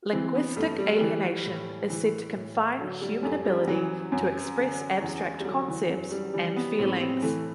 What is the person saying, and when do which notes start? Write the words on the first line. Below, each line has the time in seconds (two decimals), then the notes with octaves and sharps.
Linguistic alienation is said to confine human ability to express abstract concepts and feelings.
0.13 E3 C4
0.35 B3
0.56 G2 A3
0.78 G3
1.01 E3
1.46 A2
1.90 E3
2.35 A2
2.78 D3 F#3
3.01 G3
3.23 F#2 A3
3.45 G3
3.67 E3 F#3
4.12 F#2
4.57 D3
5.01 E2
5.40 G3
5.45 D3 F#3
5.68 E3
5.89 F#2 F#3
6.12 G3
6.33 E3 G3
6.56 B3
6.78 A2 C4
7.00 C4
7.22 E3 A3